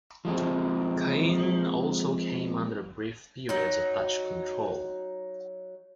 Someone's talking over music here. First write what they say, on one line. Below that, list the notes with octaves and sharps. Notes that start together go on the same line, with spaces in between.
Cayenne also came under brief periods of Dutch control.
F3 G#3 C4
F#3 D#4